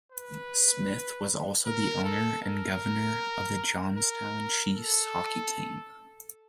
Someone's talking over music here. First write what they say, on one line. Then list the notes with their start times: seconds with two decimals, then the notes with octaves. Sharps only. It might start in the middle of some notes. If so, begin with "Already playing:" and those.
Smith was also the owner and Governor of the Johnstown Chiefs hockey team.
0.12 B4
1.66 A#4
2.04 A4
2.43 A#4
3.97 A#4
4.74 A4